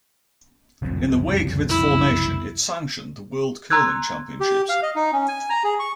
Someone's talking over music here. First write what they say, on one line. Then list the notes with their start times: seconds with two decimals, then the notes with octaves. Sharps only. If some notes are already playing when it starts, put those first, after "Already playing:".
In the wake of its formation, it sanctioned the World Curling Championships.
0.82 F#1 C2 F2
1.69 E4
3.70 A#5 C6 E6 F#6 G#6
4.40 G4
4.69 F5
4.83 D#5
4.96 D#4
5.13 C#4
5.28 G#5
5.50 A#5
5.64 G#4
5.79 C#6